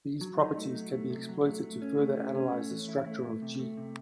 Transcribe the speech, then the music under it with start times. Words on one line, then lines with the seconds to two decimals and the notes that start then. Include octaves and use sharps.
These properties can be exploited to further analyze the structure of "G".
0.21 F#3
0.39 D#4
0.57 A3
0.75 F#3
0.92 A3
1.10 C3
1.29 F#3
1.46 A3
1.63 A3
1.82 C#4
1.99 A3
2.17 C#4
2.35 C#4
2.52 A3
2.71 E3
2.88 E4
3.07 A3
3.24 A3
3.42 C3
3.59 A3
3.77 C3